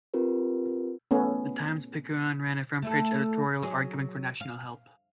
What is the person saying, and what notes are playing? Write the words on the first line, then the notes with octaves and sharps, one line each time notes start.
The "Times-Picayune" ran a front page editorial arguing for national help.
C4 F4 G4 A#4 B4
A3 B3 C#4
A3 E4 A4
F#3 G#4
F5